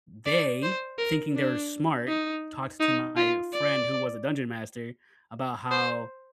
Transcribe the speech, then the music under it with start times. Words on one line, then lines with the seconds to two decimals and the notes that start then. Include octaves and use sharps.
they, thinking they were smart, talks to my friend who was a Dungeon Master about how,
0.26 D5
0.63 C5
0.98 A#4
1.36 D4
2.08 D#4
2.80 D#4
3.17 F4
3.53 D5
5.71 C5